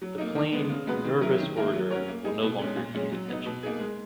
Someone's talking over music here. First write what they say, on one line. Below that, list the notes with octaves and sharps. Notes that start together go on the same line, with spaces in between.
The plain nervous orator will no longer gain attention.
F#3
A#3 D#4
D#3
G#3 B3
C#3
G#3 B3 F#4 B4
D#3
F#3 C#4 E4 A#4
D#3
A#3 E4 A#4
F#3
C#4 F#4 A#4 C#5
A#3
D#4 G#4
B2
G#3 C#4 G#4
A#2
G#3 C#4 G#4
F#3
B3 D#4
B2
A#3 D#4 G#4
G#3